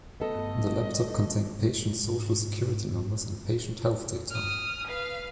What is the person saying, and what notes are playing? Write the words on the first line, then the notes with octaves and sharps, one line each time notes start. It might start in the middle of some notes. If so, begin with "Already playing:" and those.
The laptop contained patient Social Security numbers and patient health data.
G1 A3 B3 A4 D#5
G#2
D#6 F6
B4 F5